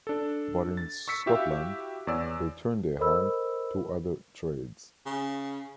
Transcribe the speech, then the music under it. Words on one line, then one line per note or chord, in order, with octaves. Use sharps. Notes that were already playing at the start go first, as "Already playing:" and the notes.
But in Scotland, they turned their hand to other trades.
D4 A4
A6
C#6 E6 B6 C#7
E4 F#4 G4 E5 F5 G5
E2 C#5 D5 E6
A4 A#4 C5 D#5 B5 E6
C#3